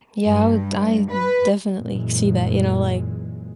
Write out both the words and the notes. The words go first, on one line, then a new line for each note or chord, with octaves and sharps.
Yeah, I would I d definitely see that, you know, like,
G2
B4
F#2 A#2 E3 G#3